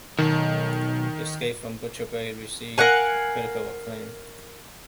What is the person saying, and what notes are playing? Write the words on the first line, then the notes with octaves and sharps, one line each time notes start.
"Escape From Butcher Bay" received critical acclaim.
B1 D#3
A#4 F5 F#5 G#5